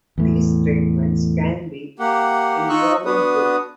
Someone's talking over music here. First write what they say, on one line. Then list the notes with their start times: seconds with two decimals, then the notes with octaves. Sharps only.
These treatments can be involuntary.
0.18 E2 A2
1.99 A#3 G4 F#5
2.69 D#4 F4 D#5 C#6 E6 F#6
3.05 B3 D4 F#4 B4 D#6